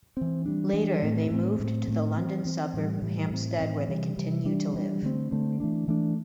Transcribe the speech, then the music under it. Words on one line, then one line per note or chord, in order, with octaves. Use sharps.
Later they moved to the London suburb of Hampstead where they continue to live.
E3 C4
E3 G3 D4
E3 G3 D4
A2 A3 C4
A2 A3 C4
A2 A3 C4
A2 A3 C4
E3 C4
E3 C4
A2 E3 G3
A2 E3 G3
A2 E3 C4
A2 E3 C4
C3 E3 G3
C3 E3 G3
E3 G3 D4
E3 G3 D4
D3 A3 C4
D3 A3 C4
E3 A3 D4
E3 A3 D4